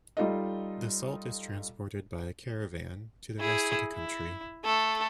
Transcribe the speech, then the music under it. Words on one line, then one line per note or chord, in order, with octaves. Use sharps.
The salt is transported by caravan to the rest of the country.
G3 D#4 F4 A4 D#5
E4 G#4
E4
A3 A4